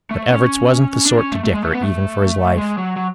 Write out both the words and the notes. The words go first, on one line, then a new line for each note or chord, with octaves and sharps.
But Everts wasn't the sort to dicker even for his life.
A3
C#4
D4
C#4
A3
A3
G#3
A3
B3
A3
G#3
F#3
F#3